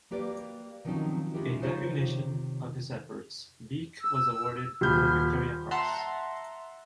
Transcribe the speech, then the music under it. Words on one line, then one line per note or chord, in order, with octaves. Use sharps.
In recognition of his efforts, Beak was awarded the Victoria Cross.
G3 A#3 G4 B4 D5
D#3 F3 F#3 C4 C#4 D#4
G#3 C#4 E4 F4 G4 A#4
C#3 F3 D#4 F4 C5 C#5
C3 D#3
E6
D#1 B5 F6 G6
E5 F#5 A5 A#5 C6